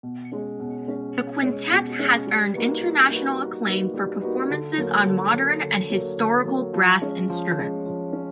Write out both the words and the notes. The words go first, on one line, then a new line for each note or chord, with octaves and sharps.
The quintet has earned international acclaim for performances on modern and historical brass instruments.
B2
G#3 C#4
B2
G#3 C#4
B2
G#3 C#4
B2
G#3 C#4
G3
A#3 D#4 F#4 B4
G3
A#3 D#4 F#4 B4
G3
A#3 D#4 F#4 B4
G3
A#3 D#4 F#4 B4
D3
F#3 A#3
D3
F#3 A#3
D3
F#3 A#3
D3
F#3 A#3
F3
G#3 C#4
F3
G#3 C#4
F3
C#4